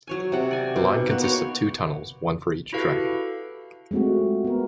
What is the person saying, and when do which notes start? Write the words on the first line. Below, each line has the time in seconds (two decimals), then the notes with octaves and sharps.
The line consists of two tunnels - one for each track.
0.07 F#3 C#5 G#5
0.32 C3 F#5
0.51 D5 G#5
0.76 B2 D#4
1.08 A#3 B3 F#4
1.23 C#5 G5 C6
2.73 E4 F#4 G4 A4 B4 F5
3.91 G#3 A3 C4 F4 F#4
4.44 B3 A#4